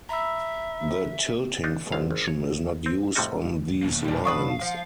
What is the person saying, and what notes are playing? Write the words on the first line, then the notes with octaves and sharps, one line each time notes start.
The tilting function is not used on these lines.
E5 A#5 B5 E6
D4 D#4 F4
G1 C2 F5
G#1
C#5
C4
F2 A2 C3 G3 F#4 D#5
F1 E2 G#2
E2 B2 D3 D#3 A#3
A#2 G3 D4 A#4
F#2 D4 B4 F5 C#6 D#6
F3